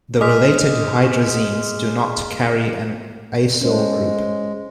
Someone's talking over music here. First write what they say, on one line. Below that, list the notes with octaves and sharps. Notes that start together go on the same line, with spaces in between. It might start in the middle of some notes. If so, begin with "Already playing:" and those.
The related hydrazines do not carry an acyl group.
G#3 D6 F6 B6
G#3 C#4 C5